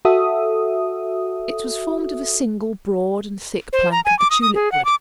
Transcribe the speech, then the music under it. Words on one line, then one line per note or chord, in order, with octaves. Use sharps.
It was formed of a single, broad and thick plank of the tulip wood.
F#4 A4 E5 D#6
C5
A#5
G#5
D6
D#6
D#6
G#4
F#5
D6